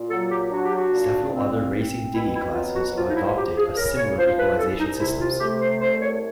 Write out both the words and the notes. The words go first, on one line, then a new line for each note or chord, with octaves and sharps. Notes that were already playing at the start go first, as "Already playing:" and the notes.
Several other racing dinghy classes have adopted a similar equalisation systems.
Already playing: A#2
F#3 A4
G4
D4 F#4
G4
F#4
A#2
C4
C4
B2 E4
E4
F#3 F4
F#4
F3 F4
D#4
E4
F3 G4
G#4
C#3 A#4
C#5
F3 C5
B4
C2 A4
D#4
C3 E4
F4
A3 G4
C5
C2 C5
C#5